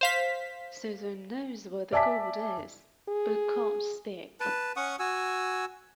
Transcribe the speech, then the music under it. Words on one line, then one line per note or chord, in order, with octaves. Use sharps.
Susan knows where the gold is, but can't speak.
C5 F5 B6
D5 E5 G#5 A5 D6 B6
G#4
B4 A5
C#4 F#5 C#6 D#6
F#4 G#5 E6